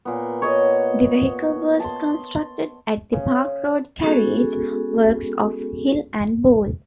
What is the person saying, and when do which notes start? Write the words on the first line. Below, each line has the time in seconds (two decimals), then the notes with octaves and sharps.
The vehicle was constructed at the Park Road carriage works of Hill and Boll.
0.05 A#2 B3
0.42 C#5 D#5 F#5
1.80 A5 C6
3.13 C#3
4.03 G#3 B3 C#4 F#4 G#4 A4